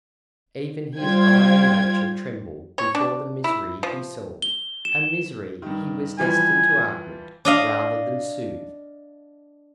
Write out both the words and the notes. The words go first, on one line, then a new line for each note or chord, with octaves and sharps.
Even his iron nature trembled before the misery he saw--a misery he was destined to augment rather than soothe.
G3 F4 C5 G5 G#6
C#5
D4
E4
F3
G7
E7
G2 D#3
E3 F3 G3 G#5
D4 D#5 F5